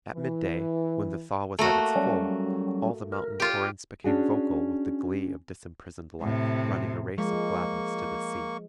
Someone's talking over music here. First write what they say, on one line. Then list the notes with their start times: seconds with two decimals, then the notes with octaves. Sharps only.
At midday, when the thaw was at its full, all the mountain torrents became vocal with the glee of disimprisoned life running a race of gladness to the sea.
0.13 E3
1.59 A3 A#3 F#4
1.96 F#3 G3 C#4
3.12 A#4
3.40 F4 G4
4.04 C#4 D4 F#4 G#4
6.22 A2 C3
7.18 F3 G#3 A#3 C#6